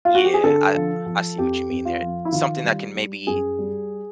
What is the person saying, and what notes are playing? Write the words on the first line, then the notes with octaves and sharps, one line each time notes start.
Yeah, I I see what you mean there. Something that can, maybe,
F4
F#4
G4
G#4
D3 A4
F3
F3
F2 G4
F2
F4
F3
E4
D#3 F4
G3
G3
F#2 G#4
G3